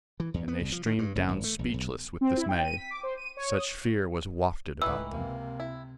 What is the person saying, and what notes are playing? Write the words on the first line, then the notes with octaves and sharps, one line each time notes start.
And they streamed down speechless with dismay; such fear was wafted about them.
E3
E2
B3
C2
F3
D#3
G2
F#1
G#1
A3
A#1
B1
C4
E4
G5
D#7
B6
D6
C5
D#7
C#5
D#6
C#2 A2 D#3 E3 B4 E6
C3 A#3
E4